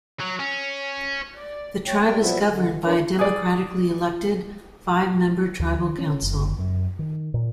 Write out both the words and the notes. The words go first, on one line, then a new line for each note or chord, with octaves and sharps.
The tribe is governed by a democratically elected, five-member tribal council.
F#3
C#4
D5
A3 C#5 G5
G3 A#4 G5
A#2 F3 F#3 B3 E4 E5
D3
D4 E4 F4 A#4 B4 C#5
G#4 D5
D2
D#3
C#4
F#1
F#2
D#3
A#2